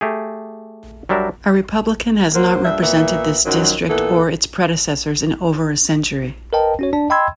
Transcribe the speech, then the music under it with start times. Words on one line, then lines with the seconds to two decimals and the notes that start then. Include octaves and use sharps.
A Republican has not represented this district or its predecessors in over a century.
0.01 A3 G4 G#4
1.09 F#3 G3 D4 A#4 E5
2.34 F#3 A#3 C5
2.64 G2 A#2 E5
2.82 A#2 B3 E5
3.44 F#2 D#3 F3 F#3
3.89 A#2 E3 B3 A4
6.53 A#4 B4 D#5 G5 A5
6.79 C#4 F#4 C#5
6.93 D4 D5 A5
7.10 D#5 G5 B5 C6 E6 G#6